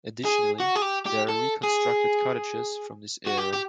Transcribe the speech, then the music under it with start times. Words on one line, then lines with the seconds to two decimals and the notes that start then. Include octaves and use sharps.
Additionally, there are reconstructed cottages from this era.
0.25 G#4
0.60 F#4
0.76 G#4
0.82 G4
1.06 G4
1.29 A4
1.64 G#4
3.27 F#4
3.38 G4
3.53 G4